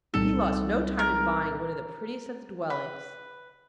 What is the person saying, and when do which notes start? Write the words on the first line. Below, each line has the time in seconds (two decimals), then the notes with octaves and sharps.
And he lost no time in buying one of the prettiest of the dwellings.
0.13 C2 A#2 G3 C4 D#4 A4
0.99 A#4
2.70 B4